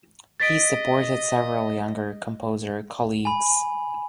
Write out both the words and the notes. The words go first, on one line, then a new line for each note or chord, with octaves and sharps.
He supported several younger composer colleagues.
D#5 A6 B6 D7
G#5 B5